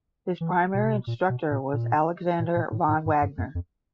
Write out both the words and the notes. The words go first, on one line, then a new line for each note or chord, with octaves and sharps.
His primary instructor was Alexander von Wagner.
E3
B2
C3
B2
A#2
B2
A#2
A#2
A#2
A#2
A2
A2
G#2
G2
F#2
F2